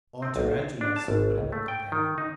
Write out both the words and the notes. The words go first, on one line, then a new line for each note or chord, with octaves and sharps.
"Or tarantulas," put in Uncle Daniel.
C4
B1
C5
D4
A5
G#1
C#2
A3
G5
D#3
D#4